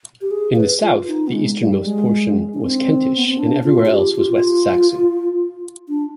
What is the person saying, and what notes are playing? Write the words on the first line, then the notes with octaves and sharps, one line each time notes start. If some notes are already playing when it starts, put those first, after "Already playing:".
In the south, the easternmost portion was Kentish and everywhere else was West Saxon.
G4
G#4
B4
F4
D#4
B3
G#3
G3
G#3
D4
C4
B3
C4
D4
F4
G#4
G4
F4
G4
F4
D4